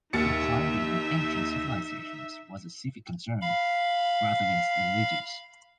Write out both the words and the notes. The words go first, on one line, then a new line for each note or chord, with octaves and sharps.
Impiety in ancient civilizations was a civic concern, rather than religious.
D#2 D#4 E5 A6 C#7
F5 B5